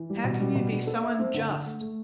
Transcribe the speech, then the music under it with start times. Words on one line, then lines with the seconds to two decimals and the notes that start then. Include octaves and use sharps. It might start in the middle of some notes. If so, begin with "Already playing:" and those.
How can you be so unjust?
Already playing: E3
0.10 G3
0.24 B2
0.40 G3
0.55 B2
0.71 D4
0.87 A4
1.03 E5
1.19 C4
1.34 D3
1.49 D3
1.66 A3
1.81 A3